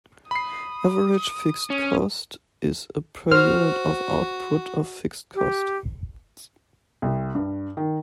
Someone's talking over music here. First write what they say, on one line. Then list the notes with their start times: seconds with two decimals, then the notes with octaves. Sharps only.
Average fixed cost is a per-unit-of-output of fixed costs.
0.31 B5 D#6 C7
1.70 C#4
3.32 F#4 C5 F6
5.35 G4
7.02 C2
7.35 G2
7.77 D#3